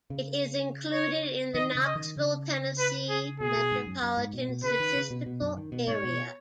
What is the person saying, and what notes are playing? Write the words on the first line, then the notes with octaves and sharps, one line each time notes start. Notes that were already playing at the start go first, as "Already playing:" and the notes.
It is included in the Knoxville, Tennessee Metropolitan Statistical Area.
C#3
C#5
D#3 D#5
C#3
D#5
D#3
C#3
B4
G#4
B2 G#4
B2
G#2
F#2
F#2
G#2
B2
B2
C#3 B4
D#3
C#3
B2
B2
F#2
D#3
B2
G#2 C#5
B2